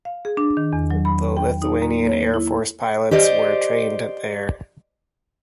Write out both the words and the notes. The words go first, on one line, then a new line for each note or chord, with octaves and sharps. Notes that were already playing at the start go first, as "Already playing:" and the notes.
The Lithuanian Air Force pilots were trained there.
F5
G#4
D4
D#3
E2
F#3
B5
G5
D#4
A#3
C#5
E4
G4 C5 D5 D#5